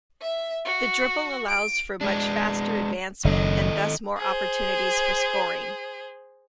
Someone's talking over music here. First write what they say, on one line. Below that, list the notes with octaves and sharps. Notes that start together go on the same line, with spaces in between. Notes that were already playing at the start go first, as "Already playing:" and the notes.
The dribble allows for much faster advancement and thus more opportunities for scoring.
E5
F#4
D7
G#3 D4
F#1 D#3 A4 D#5
G#4 C5